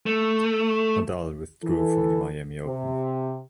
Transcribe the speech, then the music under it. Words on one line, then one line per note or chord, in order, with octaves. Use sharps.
Nadal withdrew from the Miami Open.
A3
E3 A4
C3